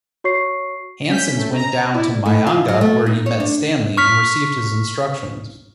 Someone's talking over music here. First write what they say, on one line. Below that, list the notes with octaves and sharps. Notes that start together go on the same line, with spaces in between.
Hanssens went down to Manyanga where he met Stanley and received his instructions.
F#4 C#5 C#6 C7
C#4 G6 B6
A3
A#5
E4 D5
A2
F4
F#3
A3
D#4
C#5
D4
C#6 F6 B6